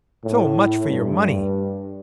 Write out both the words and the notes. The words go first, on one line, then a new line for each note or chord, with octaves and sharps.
So much for your money!
A2
G2